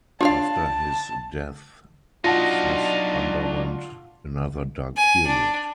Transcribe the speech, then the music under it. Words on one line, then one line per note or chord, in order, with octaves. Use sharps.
After his death Fez underwent another dark period.
D4 F4 C#5 F5 A5
F#3 D4 D#4 F4 F#5 A5 A#6
G#5
D4